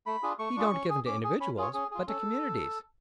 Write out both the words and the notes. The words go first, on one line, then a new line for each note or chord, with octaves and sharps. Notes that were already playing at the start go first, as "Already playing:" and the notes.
"He don't give 'em to individuals, but to communities."
A3 B5
D4 F4 G#4
A3 C#6
D4 F4 G#4
C#4
G#4
C#4 D6
G#4
C#4 B5
F4 G#4 C#5
C#4 G#4
F4 G#4
C#4 A4